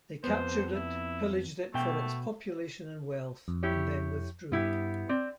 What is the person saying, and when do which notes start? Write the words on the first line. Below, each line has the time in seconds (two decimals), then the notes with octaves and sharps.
They captured it, pillaged it for its population and wealth, and then withdrew.
0.24 F2 B3 C5
0.74 E4
1.74 B2 A3 G5
3.48 F2
3.63 E4 G4 C#5
4.52 G2 B3 E4 G4
5.09 C4 D5